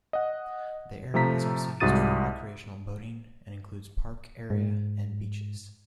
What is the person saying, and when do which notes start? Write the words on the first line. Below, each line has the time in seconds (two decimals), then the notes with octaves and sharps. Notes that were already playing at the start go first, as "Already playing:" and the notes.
The area is also used for recreational boating and includes park area and beaches.
0.13 D#5 F#5
1.14 C3 F3 A3 A#5 B6
1.80 C2 G#2 F#4 D#6 A6 D#7
4.50 G#2